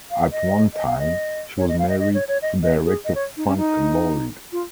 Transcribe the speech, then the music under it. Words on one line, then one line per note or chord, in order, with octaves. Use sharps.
At one time, she was married to director Frank Lloyd.
F5
D#5
D#5
F5
D#5
C#5
D#5
F5
D#5
D#5
C#5
C#5
D#5
D#5
G#4
D#5
C#5
D#4
C#4
D#4
F4